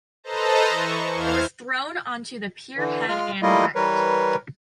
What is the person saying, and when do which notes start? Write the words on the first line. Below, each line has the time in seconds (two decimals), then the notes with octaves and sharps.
It was thrown onto the pierhead and wrecked.
0.24 A4 B4 C5 D#5 A5 A#5
0.68 E3 C#6
1.14 E2 E3 C5 F5 F6 G#6
2.77 D3 E3
3.08 G#3 F4 F6
3.42 G3 A3 A#3 E4 F4 D#5
3.75 E3 G3 A#4 B4 C#5